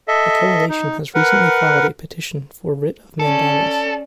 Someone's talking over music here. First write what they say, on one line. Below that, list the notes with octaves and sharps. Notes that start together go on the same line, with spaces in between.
The Coalition has recently filed a Petition for Writ of Mandamus.
A4 D#5 E5
D#4
A#4 B4 F#5
C#4 A4 D5